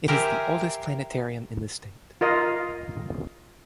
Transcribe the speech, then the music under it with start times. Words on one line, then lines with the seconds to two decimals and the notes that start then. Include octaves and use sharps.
It is the oldest planetarium in the state.
0.08 G4 A#4 C5 E5 G#5
2.21 F4 A#4 D#5 F5